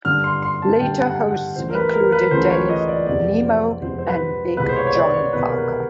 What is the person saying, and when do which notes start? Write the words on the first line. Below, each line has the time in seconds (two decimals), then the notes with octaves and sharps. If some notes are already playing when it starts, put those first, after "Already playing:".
Later hosts included Dave Nemo and Big John Parker.
0.05 G2 D3 G3 F6
0.24 C6
0.42 C6
0.62 A5
0.80 G2 D3 G3 G5
1.06 F#5
1.31 F#5
1.56 C#2 C#3 E3 A3 C5
1.70 A#4
1.75 B4
1.94 A#4
2.12 B4
2.31 C#2 C#3 E3 A3 C5
2.50 C#5
2.69 D#5
2.88 D5
3.07 F2 C3 F3 G#3 B3 D5
3.44 C5
3.82 F2 C3 F3 G#3 B3 C5
3.98 C5
4.07 B4
4.57 C2 B2 G#3 B3 B4
4.69 C5
4.76 C#5
4.87 C#5
4.95 D5
5.14 C#5
5.33 C2 B2 G#3 B3 B4
5.48 A#4
5.58 B4